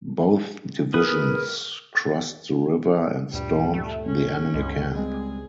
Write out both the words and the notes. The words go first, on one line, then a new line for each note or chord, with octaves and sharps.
Both divisions crossed the river and stormed the enemy camp.
G#4 A#4 B4 D#6
D2 G2 A#2 G3
A3
C#4
C#2 G2 D3 G#3
G3 G#3 C4 G#4